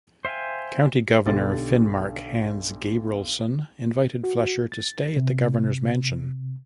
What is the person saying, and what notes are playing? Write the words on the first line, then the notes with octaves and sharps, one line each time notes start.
County Governor of Finnmark Hans Gabrielsen invited Fleischer to stay at the governor's mansion.
C5 E5 F5 G5 G#5
B1 D3 G4 A6
F#4
A6
C3